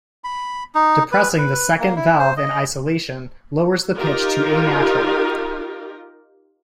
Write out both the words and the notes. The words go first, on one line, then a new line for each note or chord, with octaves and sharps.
Depressing the second valve in isolation lowers the pitch to A natural.
B5
D#4
B4
B4
A#3
E4
C5
D#5
D#4 F4 G4 A#4